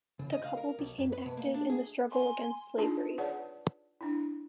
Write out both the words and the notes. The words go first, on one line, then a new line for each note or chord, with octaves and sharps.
The couple became active in the struggle against slavery.
C#3
D#5
F5
A#4
B1
F#2
B4
B2
A#3
D4
G#4
G#5 C6
D4 D#4 F4 G#4 A5
G#4 B4 C#5 D5 F#5 A5
D4 E4